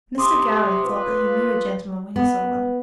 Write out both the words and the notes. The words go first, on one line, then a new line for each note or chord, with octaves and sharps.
Mr. Gowran thought that he knew a gentleman when he saw one.
C3 C6 D6 D#6
F4 B4
B3